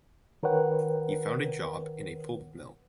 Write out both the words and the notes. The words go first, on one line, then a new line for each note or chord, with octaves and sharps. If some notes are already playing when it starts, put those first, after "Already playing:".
He found a job in a pulp mill.
D#3 A#4 B4 C#5 F#5 G5